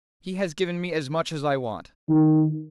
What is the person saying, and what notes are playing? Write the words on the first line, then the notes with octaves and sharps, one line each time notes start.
He has given me as much as I want.
D#3